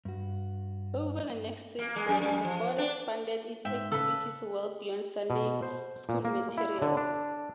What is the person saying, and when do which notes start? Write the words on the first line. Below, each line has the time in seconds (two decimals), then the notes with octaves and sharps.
Over the next century, the board expanded its activities well beyond Sunday School material.
0.05 G2 F#4
1.79 A#3
1.96 G#3
2.08 F#2
2.22 F#2
2.45 F3
2.78 D4
3.65 G#2 E5 G5
3.92 C#3 A4 B4 B5 E6
5.30 B2
5.62 C5
6.09 A#2
6.25 A#3
6.57 E4
6.82 D3
6.97 D4